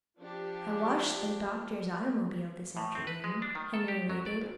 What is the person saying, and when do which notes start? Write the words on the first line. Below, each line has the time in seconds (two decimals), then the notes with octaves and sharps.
"I washed the doctor's automobile this afternoon," Henry related.
0.19 F3 D4 G4
2.77 A2
2.95 C4
3.07 B4
3.24 G#3
3.42 D4
3.55 D#3
3.74 A4
3.88 G4
4.10 F#3
4.26 D5
4.41 G#1